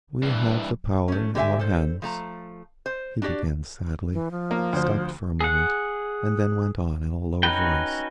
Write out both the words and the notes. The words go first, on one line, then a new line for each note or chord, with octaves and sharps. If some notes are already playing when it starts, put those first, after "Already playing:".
"We have the power in our hands," he began sadly, stopped for a moment, and then went on in a low voice.
G2 E3
A3 C#4
D3 G4 A4 C#5 E5 G#5
A4 C5
F3 A3 A#5
C5
D4 F#4 G4 D5
E3
F3
A#3
D2 C5
G#4 F#5
C#4 D#4 F#4 B4 G5